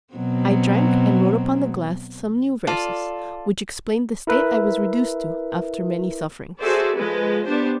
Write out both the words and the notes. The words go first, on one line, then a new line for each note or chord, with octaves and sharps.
I drank, and wrote upon the glass some new verses, which explained the state I was reduced to, after many sufferings.
B2 F#3 C4
F4 A4 D5
E4 A#4 B4 E5
F#4 G#4 A4 C5 D5 E5
F3 G#3 B4
B3 D4 G4 C5